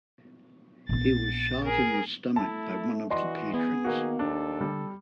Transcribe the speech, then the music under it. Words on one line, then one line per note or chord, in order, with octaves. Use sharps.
He was shot in the stomach by one of the patrons.
A#1 B3 A6
G#4 A#4
A3 E4 A5
E3 F#4 D5 D#5 C6
B3 G#4
D#3 A#3 F#4
D#2 D4 A4
D3 G3